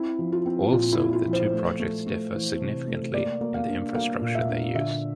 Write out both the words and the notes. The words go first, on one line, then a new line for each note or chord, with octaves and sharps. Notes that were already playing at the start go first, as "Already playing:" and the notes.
Also, the two projects differ significantly in the infrastructure they use.
Already playing: C4 E4
F3
F4
C4
A#2 F4
E4
A#2
F4
F3
C5
A3
A3
A3
E3
C3
A3
A#3 D5
A#3
F5
D4
A#3 F5
A#2
E5
D4
D3 E5